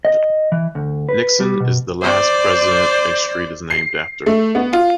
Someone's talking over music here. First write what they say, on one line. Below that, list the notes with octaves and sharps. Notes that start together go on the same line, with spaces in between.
Nixon is the last President a street is named after.
D#5
E3
D2
B4
G3
B2
C5 D5
C7
A3
B3
F4